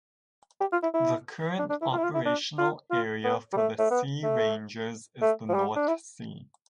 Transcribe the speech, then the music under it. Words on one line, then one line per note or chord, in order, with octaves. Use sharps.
The current operational area for the Sea Rangers is the North Sea.
G4
F4
E4
E4
D4
D4
E4
F4
E4
F4
E4
D4
F4
F4
B3
G3
A3
A3
B3
A3
A3
F3
G3
D4
E4